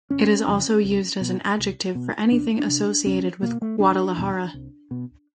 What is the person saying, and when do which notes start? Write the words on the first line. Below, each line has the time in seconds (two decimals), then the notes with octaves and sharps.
It is also used as an adjective for anything associated with Guadalajara.
0.10 G1 C#4
0.47 F2 C#3
0.84 C2
1.21 B2
1.59 C2
1.95 B2
2.31 C2 D4
2.60 D4
2.68 C3
3.06 C2 C#4
3.42 B2 A#3
3.62 A3
3.79 E1 D4
4.17 E2 B2
4.54 C2
4.91 B2